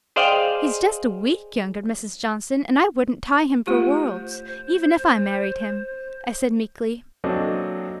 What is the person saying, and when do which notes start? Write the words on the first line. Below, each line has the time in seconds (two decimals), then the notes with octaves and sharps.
"He's just a week younger, Mrs. Johnson, and I wouldn't tie him for worlds, even if I married him," I said meekly.
0.16 G#4 C5 D5 D#5 F5 G5
3.67 A3 F4 G4 C5
7.24 F#3 A#3 C4 D4 A4 D#5